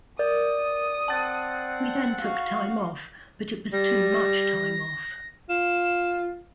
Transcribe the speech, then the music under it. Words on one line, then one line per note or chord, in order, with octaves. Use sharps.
We then took time off, but it was too much time off.
A#4 D5 D#6
C4 F#5 A5 A6
F#4 F5
G3 A#6
F4 E7